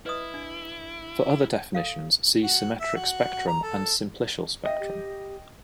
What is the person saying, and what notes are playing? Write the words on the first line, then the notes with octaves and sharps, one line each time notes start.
For other definitions, see symmetric spectrum and simplicial spectrum.
E4 B4 D#5 D#6
D4
A4 F5
F#4
E5
F#4
A#5
A4
D#5 E5 G5
G4